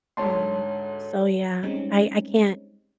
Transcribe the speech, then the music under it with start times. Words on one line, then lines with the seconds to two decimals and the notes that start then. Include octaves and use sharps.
Um, so, yeah, I I can't
0.17 D2 G#2 C#5 A5 C6
1.63 G3 G#3 C4 C#4 D#4